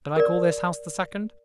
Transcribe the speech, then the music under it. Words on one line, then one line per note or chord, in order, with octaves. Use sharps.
Did I call this house the second?
A#4 D5